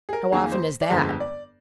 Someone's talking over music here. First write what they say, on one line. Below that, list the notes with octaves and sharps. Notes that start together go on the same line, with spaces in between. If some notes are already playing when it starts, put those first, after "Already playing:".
"How often is that?"
G#4
A#4
F2 D#3 A#3 G#4
C5
D5
G1 F2 D3 G#3 C4 C5
D5